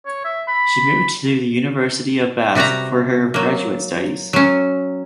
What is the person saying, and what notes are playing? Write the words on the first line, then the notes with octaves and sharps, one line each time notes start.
She moved to the University of Bath for her graduate studies.
C#5
E5
B5
C3 G3 F#4 B4 A#5
F#3 A#3
F#3 C#4